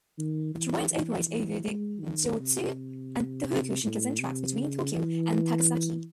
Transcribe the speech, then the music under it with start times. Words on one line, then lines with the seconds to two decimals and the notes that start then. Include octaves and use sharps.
Trains operate over the Joetsu and Tohoku Shinkansen tracks between Tokyo and Takasaki.
0.18 D#3
0.54 E3
0.91 E3
1.28 E3
1.65 G#3
2.01 D#3
2.38 C3
3.83 A2
4.20 C3
4.55 C#3
4.92 E3